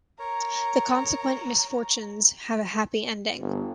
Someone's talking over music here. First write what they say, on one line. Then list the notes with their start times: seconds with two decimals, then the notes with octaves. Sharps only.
The consequent misfortunes have a happy ending.
0.19 A#4 C#5 A#5
3.39 G1